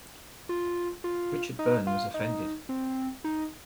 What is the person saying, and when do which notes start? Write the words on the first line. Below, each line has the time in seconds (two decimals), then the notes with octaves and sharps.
Richard Byrne was offended.
0.49 F4
1.04 F4
1.59 D#4
1.87 F4
2.14 D#4
2.69 C4
3.24 D#4